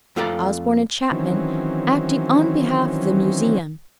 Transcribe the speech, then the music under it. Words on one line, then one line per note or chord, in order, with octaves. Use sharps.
Osborn and Chapman, acting on behalf of the Museum.
F2 A3 F4 A4 D5 A#5
D#3 E3 F#3 C4 C#4